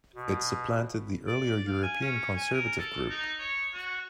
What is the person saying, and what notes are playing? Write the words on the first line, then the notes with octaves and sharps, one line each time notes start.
It supplanted the earlier European Conservative Group.
B2
D5
F5
G#5
C#4
G#5
A#4
A4
D#4
C#5
F#4